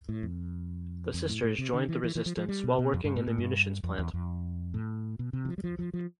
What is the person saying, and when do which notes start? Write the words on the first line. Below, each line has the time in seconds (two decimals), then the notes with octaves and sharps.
The sisters joined the resistance while working in the munitions plant.
0.09 A2
0.23 F2
1.14 F2
1.29 A2
1.43 A2
1.59 C3
1.73 D3
1.89 E3
2.04 E3
2.15 E3
2.26 F3
2.37 F3
2.49 G3
2.64 B2
2.79 B2
2.94 F2
3.05 G2
3.16 A2
3.27 A2
3.38 G2
3.83 F2
3.99 E2
4.14 F2
4.74 A2
5.19 B2
5.33 C3
5.45 E3
5.49 F3
5.58 G3
5.64 F3
5.79 F3
5.94 F3